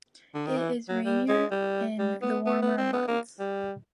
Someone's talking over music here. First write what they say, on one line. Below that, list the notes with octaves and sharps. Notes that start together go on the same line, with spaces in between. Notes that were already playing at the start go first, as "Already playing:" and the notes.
It is rainier in the warmer months.
D3
D#3
E3
F#3
G3
G#3
G3
G3
B3
B3
B3
C4
B3
A#3
G3